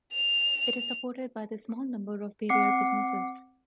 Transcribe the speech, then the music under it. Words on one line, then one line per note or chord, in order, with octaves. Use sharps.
It is supported by the small number of Brier businesses.
F7
C4 F#5 D6 C7 C#7